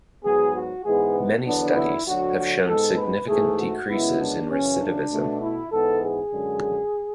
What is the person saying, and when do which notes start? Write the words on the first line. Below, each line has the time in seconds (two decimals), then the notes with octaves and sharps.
Many studies have shown significant decreases in recidivism.
0.24 G#2 F#3 B3 G#4
0.54 F#4
0.85 G#2 E3 G#3 B3 G#4
1.46 E2 D3 F#3 B3 D4
1.76 E4
2.07 D2 D3 F#3 F#4
2.37 F#4
2.68 G#2 G#3 B3 A4
2.97 B4
3.28 G#2 E3 A3 G#4
3.58 F#4
3.89 F#2 C#3 G#3 B3 E4
4.20 D4
4.50 F#2 C#3 E3 C#4
4.80 D4
5.11 B2 A3
5.41 E4
5.71 G#2 E3 G#3 B3 A4
6.02 G#4
6.33 F#2 D3 G#3